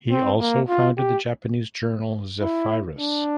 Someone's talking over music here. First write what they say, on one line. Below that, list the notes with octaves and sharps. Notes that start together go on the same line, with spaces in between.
He also founded the Japanese journal "Zephyrus".
C4
A#3
F4
G4
E4
D4